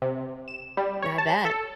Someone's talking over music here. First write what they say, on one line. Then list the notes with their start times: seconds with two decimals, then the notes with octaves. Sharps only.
I bet.
0.02 C3
0.48 E7
0.77 G3
1.02 C#5
1.18 A5
1.45 A4